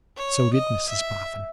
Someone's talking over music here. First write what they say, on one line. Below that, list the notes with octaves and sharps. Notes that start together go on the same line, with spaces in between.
So did Mrs Boffin.
C#5
D#5
E5